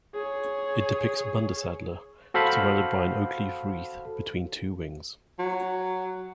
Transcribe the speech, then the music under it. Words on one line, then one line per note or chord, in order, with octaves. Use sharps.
It depicts the "Bundesadler" surrounded by an oak leaf wreath between two wings.
G#4 C#5
F#4 A4 C5 F5 B5
F#3